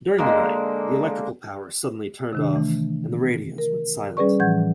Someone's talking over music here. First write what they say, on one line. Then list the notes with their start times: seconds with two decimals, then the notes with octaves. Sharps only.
During the night, the electrical power suddenly turned off and the radios went silent.
0.18 D3 G#3 A#3
2.33 C3 D#3 D4
2.53 E3 A3
3.58 A#4
4.17 G3 C#4 G#4 B4 D5 C#6
4.40 A2 E3 F3 F#5 G6 G#6